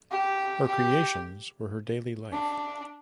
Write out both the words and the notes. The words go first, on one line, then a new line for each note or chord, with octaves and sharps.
Her creations were her daily life.
G4
G4
D4